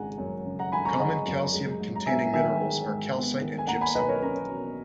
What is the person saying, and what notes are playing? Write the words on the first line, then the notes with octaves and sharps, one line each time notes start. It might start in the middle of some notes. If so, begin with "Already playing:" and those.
Common calcium-containing minerals are calcite and gypsum.
Already playing: G#1 C#3 G#3 F#5 G#5 A#5
F#2
C#3
F#5 A#5
G#1 G#5 B5
A#5 C#6
G#3 D#5 F#5
F#2
G#3
G#2
A#5
B3 E5 G#5
D#3 E5 G#5
G#3
G#2
B3
D#3
G#5
A#3 F#5 A#5
G#5 B5
B1 B4 D#5
A#4 C#5
C#4 A#4
B2